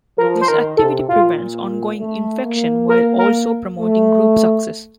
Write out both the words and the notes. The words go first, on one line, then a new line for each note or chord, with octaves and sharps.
This activity prevents ongoing infection while also promoting group success.
F3 A#4
C5
D#3 A#4
C3 A4
A#2 F4
A3
A#3
A#4
A#4
A3